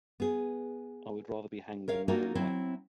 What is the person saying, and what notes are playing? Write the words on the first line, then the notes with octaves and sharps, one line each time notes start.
I would rather be hanged in my own way.
B3 G#4
A#4 C#5 F5
A#3 D#4 F4 F#4 A4 A#4
F#3 C4 E4